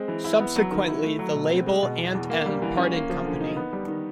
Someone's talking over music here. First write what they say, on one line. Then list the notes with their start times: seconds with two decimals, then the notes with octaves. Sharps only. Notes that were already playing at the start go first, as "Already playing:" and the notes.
Subsequently the label and M parted company.
Already playing: G#3 C4
0.08 E3
0.24 E4
0.40 B3
0.56 F#3
0.72 D#3
0.88 E4
1.03 A3
1.19 F#3
1.35 B2
1.51 C4
1.66 G#3
1.83 B2
1.98 E2
2.14 E2
2.30 A#3
2.46 G3
2.62 E3
2.77 C#4
2.93 A#3
3.10 F3
3.25 D3
3.41 D#4
3.56 B3
3.73 G3
3.88 D#3